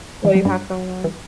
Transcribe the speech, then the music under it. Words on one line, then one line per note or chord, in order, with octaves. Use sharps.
what do you have going on.
E3
F#3
G2 G3
E3